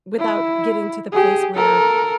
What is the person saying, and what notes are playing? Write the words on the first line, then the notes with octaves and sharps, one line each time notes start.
without getting to the place where
E4
G4 G#4
A4 A#4